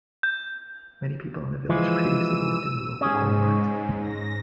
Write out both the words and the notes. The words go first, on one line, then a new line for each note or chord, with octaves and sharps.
Many people in the village previously worked in the local coal mines.
G6
E3 F3 G#3 E6 D#7
G#2 C#4 G#4
A#6